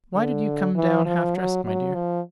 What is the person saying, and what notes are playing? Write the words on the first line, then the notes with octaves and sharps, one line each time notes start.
"Why did you come down half-dressed, my dear?"
D3
E3
F3
F#3
F#3
F3